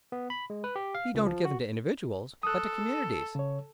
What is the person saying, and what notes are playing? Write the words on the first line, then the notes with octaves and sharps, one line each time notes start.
"He don't give 'em to individuals, but to communities."
B3
B5
G#3
B4
G4
F5
C#2
F3
F#4
A4 D#6 F#6
C#3 C#5